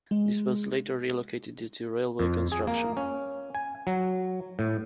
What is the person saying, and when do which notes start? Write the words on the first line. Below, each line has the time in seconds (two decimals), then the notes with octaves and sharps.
This was later relocated due to railway construction.
0.11 G#3
2.19 F2
2.52 G#4
2.67 A#3
2.97 C#4
3.55 G#5
3.87 F#3
4.59 A2